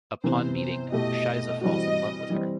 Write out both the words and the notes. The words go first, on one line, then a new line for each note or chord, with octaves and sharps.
Upon meeting, Shiza falls in love with her.
C3 E3 B3 C5
C5
B2 A3 E4 G4 D#5
E3 G3 C4 F#4 D#5
E3 G3 C4